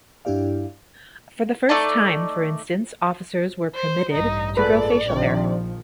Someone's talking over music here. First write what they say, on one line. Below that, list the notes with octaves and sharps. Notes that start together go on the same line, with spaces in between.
For the first time, for instance, officers were permitted to grow facial hair.
G2 D4 E4 G4 D5 F5
A3 D#4 D5 A5
C5
A1 G2 D#4
A#2 G#3 A4 B4 D5
A#1 C3 D#3 F3 C4 D4